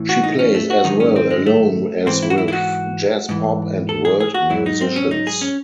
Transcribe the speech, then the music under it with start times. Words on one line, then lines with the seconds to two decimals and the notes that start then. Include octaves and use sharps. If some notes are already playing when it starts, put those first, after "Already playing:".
She plays as well alone as with jazz, pop, and world musicians.
Already playing: A2 E3
0.09 F#4
0.23 D#4
0.39 C#4
0.55 A3
0.70 F#4
0.84 G#2 D#3 F#3 D#4
1.00 C#4
1.16 C4
1.31 G#3
1.46 A3
2.06 G#2 E3 C4
2.22 E4
2.30 F#4
2.38 E4
2.48 E4
2.53 F#4
3.29 G#2 E3
3.89 A4
4.05 G#4
4.20 G#4
4.34 F#4
4.50 G#2 F#3 E4
4.66 D#4
4.81 C4
4.96 C#4
5.11 D#4
5.27 G#4
5.41 C#4